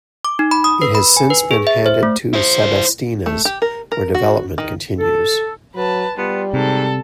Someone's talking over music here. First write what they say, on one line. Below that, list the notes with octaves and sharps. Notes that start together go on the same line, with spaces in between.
It has since been handed to "sebastinas", where development continues.
D6
D#4
B5
D#6
B4
B5
G#5
B4
G#4
E5
C5
A3
E4 C5
A3
G4
A#4
A#4
F#4
D#3
A4
F#3 B4 A5
G3 B3 F4
G#2 C3 A4